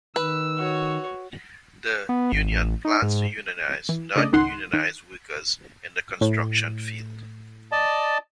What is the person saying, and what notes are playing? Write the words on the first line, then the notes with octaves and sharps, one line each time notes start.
The union plans to unionize non-unionized workers in the construction field.
D#3 B4 E6
F#4 C#5
B3
G#1
A1
D#4
G#2
E3
C#3 A3 D4 D5 D#5
G#1 C#2 D#3 D#4 F#5 C6
D#3
A2
D5 D#5 A5